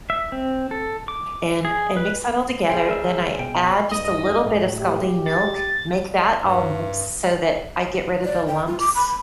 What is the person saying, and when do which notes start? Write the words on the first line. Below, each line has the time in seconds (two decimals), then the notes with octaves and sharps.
And and mix that all together, then I add just a little bit of scalding milk. Make that all mixed so that I get rid of the lumps,
0.10 E5
0.32 C4
0.71 A4
1.08 D6
1.65 G#4
1.97 B4
2.70 G3 G#4 C5 G5
2.88 A#4 E5
3.38 B2 G5
3.91 G2 D#5
4.45 A2
4.80 G4
5.26 A6
6.41 G2
8.25 D5
8.47 G5
8.67 F4
8.80 D6
8.95 B5